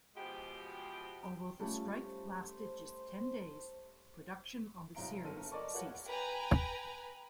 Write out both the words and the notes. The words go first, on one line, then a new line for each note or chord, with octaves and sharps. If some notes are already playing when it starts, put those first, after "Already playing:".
Although the strike lasted just ten days, production on the series ceased.
B2 F3 G#3 G4
G3 A3 C#4 F4
C5
C2 F#3 C4 F5 A#5 D7
G1 A4 A#4 D#7
A#4 D5 D#5 A5 C#6 D6
F4 G4 A#4 B4 C#5 F#5
B4 G5 G#5 A#5